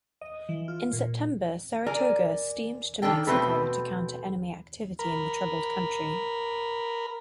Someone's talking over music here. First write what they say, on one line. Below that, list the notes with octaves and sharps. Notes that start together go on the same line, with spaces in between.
In September, "Saratoga" steamed to Mexico to counter enemy activity in the troubled country.
D#5
E3
F4
A#2
A#4 D5 G#5
D#3 A#3 D4 A4 G5
B2 A3 C4 A4 B4
A#4 B5